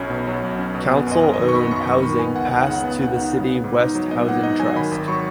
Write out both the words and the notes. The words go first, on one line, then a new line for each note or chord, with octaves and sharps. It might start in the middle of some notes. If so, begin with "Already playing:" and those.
Council-owned housing passed to the City West Housing Trust.
Already playing: B1 F#3 C#4 B5
B2
F#3
B1
C#4
B2
B3 G#5
F#2 D#5
F#2
D#5
D#3
C#6
B3 B5
F#2 C#6
F#2 C#6
D#3 B5
B3 G#5
C#2 F#5
D#4 F#5
C#3 F#5
B3
C#2
D#4
C#3
B3
G#2
D#4
F#3
B3 D#5
G#2 F#5
D#4 D#5
F#3 G#5
D#3 B5
G#1 B5
F#3 C#6